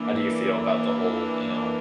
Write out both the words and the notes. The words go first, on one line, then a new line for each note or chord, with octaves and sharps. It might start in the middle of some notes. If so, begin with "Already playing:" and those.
how do you feel about the whole, you know,
Already playing: E3 A#3 D4